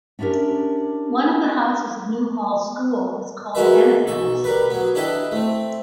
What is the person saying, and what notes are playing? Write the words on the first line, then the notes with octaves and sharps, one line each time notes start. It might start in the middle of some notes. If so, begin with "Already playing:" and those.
One the houses of New Hall School is called Dennett House.
C#4 D4 E4 G4 A#4
G#3 C#4 F#4 A#4 B4 E5
B1 A4 C#6
G3 A#4 B4
F#3 B3
D4 E4 G4 A4 B4 D#5
A3 C4